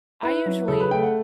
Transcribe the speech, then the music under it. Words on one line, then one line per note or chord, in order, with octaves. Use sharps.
I usually
E4 B4
F#3
C#3 A4
B4
A3 G5
F#5